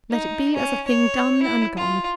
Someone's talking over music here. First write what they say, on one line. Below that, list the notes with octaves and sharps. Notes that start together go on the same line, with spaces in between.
Let it be as a thing done and gone.
D#4
C#4
C#5
E4
F4